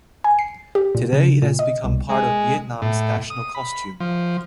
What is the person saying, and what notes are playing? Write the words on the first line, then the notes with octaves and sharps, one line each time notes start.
Today, it has become part of Vietnam's national costume.
G#5
C7
G4
A#2
C#3
A#2
D#5
C2
G#3
A2
D#6
B5
F3